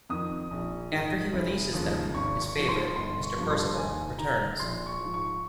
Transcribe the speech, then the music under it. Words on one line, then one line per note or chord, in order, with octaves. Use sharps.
After he releases them, his favourite, Mr Percival, returns.
F2 D#3 D#6
A#1
G#2 D#3
F1
D#2 C#3 F3
G#1 C#6
C#6
G#2 F3
C6
G1 C6
C#6
G2 F3
C6
D#2 G#5
D#3 A#5
A#1 C6
C#6
G#2 F3
C#6